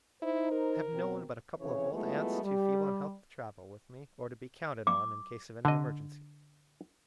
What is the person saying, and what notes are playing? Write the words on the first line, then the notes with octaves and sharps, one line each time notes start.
I have no one but a couple of old aunts, too feeble in health to travel with me or to be counted on in case of any emergency.
D#4 E4 C5
A#4
B2 C4
F2 C#3 E3 C#5
F#3 G#3 A3 B3 E4 F4
G3
D6
D3 D#5